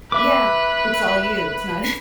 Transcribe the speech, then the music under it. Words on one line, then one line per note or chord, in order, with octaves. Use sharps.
Yeah, it's all you, it's not
B4 E5 D6